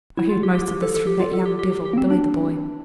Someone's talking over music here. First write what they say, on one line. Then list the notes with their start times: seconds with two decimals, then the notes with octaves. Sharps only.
'I heard most of this from that young devil, Billy the Boy.
0.17 E4
0.29 F4
0.43 G4
0.55 G4
0.68 G4
0.82 A4
0.94 A4
1.07 G4
1.20 F4
1.34 A4
1.46 G4
1.59 G4
1.72 G4
1.85 G4
1.93 A#3
1.98 C4
2.11 D4